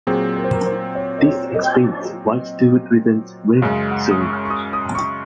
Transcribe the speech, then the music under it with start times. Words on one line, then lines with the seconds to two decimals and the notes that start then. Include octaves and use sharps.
This explains why Stewart resents Remy so much.
0.07 A#2 F#3 C4 G#4
0.36 A#4
0.44 C5
0.52 A#4
0.66 C5
0.95 C#5
1.18 D#5
1.25 C#5
1.54 D#5
3.62 F#2 C#3 G#3 F5
3.91 F#5
4.11 D#6
4.20 C#6
4.45 C#6
4.50 D#6
4.73 D#6
4.95 C#6